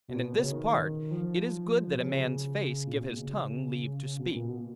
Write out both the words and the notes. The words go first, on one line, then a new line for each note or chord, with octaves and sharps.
And in this part, it is good that a man's face give his tongue leave to speak.
B2
A#2
B2
C#3
D#3
F3
B2
C#3
A#2
B2
C#3
B2
A#2
B2